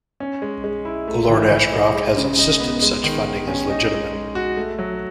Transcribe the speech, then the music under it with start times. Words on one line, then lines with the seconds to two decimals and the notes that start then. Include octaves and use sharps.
Lord Ashcroft has insisted such funding is legitimate.
0.20 C#4
0.42 G#3
0.64 G#3
0.85 E4
1.08 A3
1.30 E3
1.51 E3
1.73 D#4
1.95 G#3
2.17 C#3
2.39 D#4
2.60 B3
2.82 G#3
3.04 D#3
3.26 D#3
3.48 C#4
3.70 D#4
3.92 G#3
4.13 G#3
4.35 F#4
4.57 A3
4.79 F#3